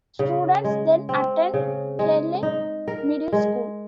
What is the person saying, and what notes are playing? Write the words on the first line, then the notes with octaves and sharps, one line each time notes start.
Students then attend Kelly Middle School.
C#3
G#3
C4
C#3
G#3
D#4
A#4
G#3